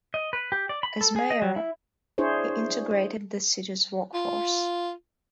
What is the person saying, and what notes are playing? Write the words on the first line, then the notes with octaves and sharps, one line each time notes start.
As mayor, he integrated the city's workforce.
D#5
B4
G4
D5
B5
A4
G#4
D#5
F#3
E4
D4 E4 G#4 C5 C#5
F4